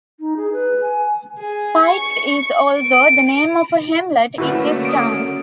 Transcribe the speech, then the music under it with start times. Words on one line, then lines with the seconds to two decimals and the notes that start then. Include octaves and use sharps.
Pike is also the name of a hamlet in this town.
0.20 D#4
0.37 G#4
0.53 B4
0.81 G#5
1.39 G#4
1.85 C#6
2.77 D7
4.38 F#2 D3 A3 A#3 E4 F#4 B4
4.85 D#6 D7